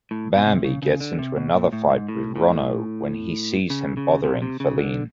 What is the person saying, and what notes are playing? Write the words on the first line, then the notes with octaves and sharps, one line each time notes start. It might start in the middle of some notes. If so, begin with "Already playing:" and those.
Bambi gets into another fight with Ronno when he sees him bothering Faline.
A2
B2
C3
C#3
C#3
D3
C3
B2
A#2
A2
G#2
A2
A2
C#3
C#3
C3
C3
C#3
D3